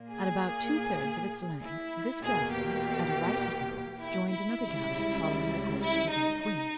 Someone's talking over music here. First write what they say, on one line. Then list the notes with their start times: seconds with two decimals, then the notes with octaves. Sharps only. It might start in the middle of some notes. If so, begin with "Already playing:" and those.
At about two-thirds of its length this gallery, at a right angle, joined another gallery following the course of the right wing.
Already playing: A#2 A#3
0.12 G#4
1.63 E4
2.22 E2 B2 A#3 G#4
2.53 G4
4.02 E4
4.31 E4
4.62 C#2 C#3 G3
5.81 E4
6.12 D#4
6.41 D#4